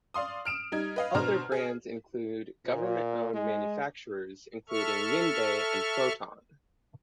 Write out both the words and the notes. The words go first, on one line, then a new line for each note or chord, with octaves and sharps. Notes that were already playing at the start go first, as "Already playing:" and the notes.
Other brands include government owned manufacturers including Jinbei and Foton.
D5 F5 C6 D#6
F6 D7 E7
G3 D#4 G#6
B4 D#5 F5
B2 D4 C5 A#5 C6 F6
G#4
A#2
G#3
A4 E5 C#6 F6